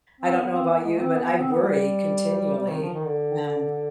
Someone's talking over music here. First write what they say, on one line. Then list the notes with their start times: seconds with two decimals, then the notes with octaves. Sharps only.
I don't know about you, but I worry continually, and
0.21 C4
0.37 B3
0.53 C4
0.68 B3
0.85 G#3
1.00 C4
1.16 B3
1.27 B3
1.40 C4
1.52 B3
1.63 G3
2.58 G3
2.70 D#3
2.82 F3
2.94 D#3
3.05 D3